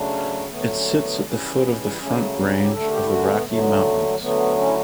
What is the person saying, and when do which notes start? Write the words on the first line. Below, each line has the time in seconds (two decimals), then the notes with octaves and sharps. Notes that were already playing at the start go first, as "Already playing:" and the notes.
It sits at the foot of the Front Range of the Rocky Mountains.
Already playing: C#3 F#3 A3 D4
0.49 D3 F#3 A3 B3
0.67 B3
0.75 C#4
0.84 B3
0.91 C#4
1.00 B3
1.13 D4
1.24 C#3 E3 G3 C#4
1.97 C#3 F#3 A3 C#4
2.16 A3
2.35 B3
2.47 C#4
2.60 G4
2.71 D3 A3 A4
2.90 G4
3.02 E4
3.09 F#4
3.19 C#4
3.27 B3
3.45 D3 F#3 A3
3.57 B3
3.64 A3
4.19 D3 F#3 A3 B3
4.57 C#4
4.66 E4